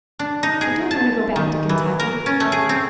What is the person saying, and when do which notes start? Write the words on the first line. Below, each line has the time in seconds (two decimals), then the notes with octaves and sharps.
I don't want to go back to Kentucky!
0.19 D4
0.43 D#4
0.61 G#4
0.91 A5
1.36 D#3
1.69 E3
2.00 A#4
2.26 C#4
2.40 A3
2.52 G#4
2.69 C4